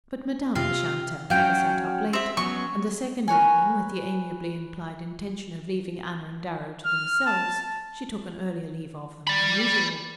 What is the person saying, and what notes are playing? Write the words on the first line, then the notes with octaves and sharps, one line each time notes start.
But Madame de Chantelle never sat up late, and the second evening, with the amiably implied intention of leaving Anna and Darrow to themselves, she took an earlier leave of them than usual.
C3 F4 F5
F#3 C#4 F#4 F5 G5
C4 E5
F#3 B3 C#4 C#6
A#4 B4 C#5 G#5
F6
A5
D5 B5